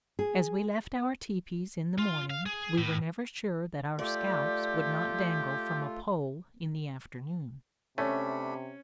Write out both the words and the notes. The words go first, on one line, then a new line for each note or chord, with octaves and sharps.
As we left our teepees in the morning, we were never sure that our scalps would not dangle from a pole in the afternoon!
G#4
F4
F5
G#4
A2
A3 F4 G4 D5
C3 A3 C#4 D4 B5